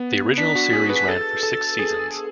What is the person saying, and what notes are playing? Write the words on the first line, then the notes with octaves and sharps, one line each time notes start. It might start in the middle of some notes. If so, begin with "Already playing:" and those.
The original series ran for six seasons.
Already playing: B3
D4 B6
F#4
G#4
B4 B6
A4 A6
A4
G#4